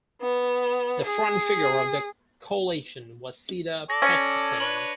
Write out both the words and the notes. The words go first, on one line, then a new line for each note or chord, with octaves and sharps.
The front figure of the coalition was Seda Petrosyan.
B3
G#4
A4 D5 A#6
C#4 G#6 C#7 D#7
D4 B4 C#5 F#7